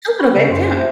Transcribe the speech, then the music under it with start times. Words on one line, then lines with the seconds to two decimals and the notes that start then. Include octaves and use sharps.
A little bit, yeah.
0.19 B5 C#6
0.35 C#3 B4 C5 A#5
0.50 F#2 F4 C6
0.77 F4 C5 E5